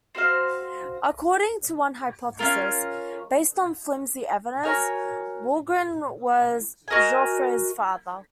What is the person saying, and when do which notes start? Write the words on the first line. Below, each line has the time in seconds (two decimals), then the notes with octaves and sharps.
According to one hypothesis, based on flimsy evidence, Wulgrin was Jaufre's father.
0.15 C4 F#4 C5 F5
2.39 C#4 F4 A#4
4.63 F#4 A#4 C#5 G#5
6.88 F#4 A#4 D#5 G#5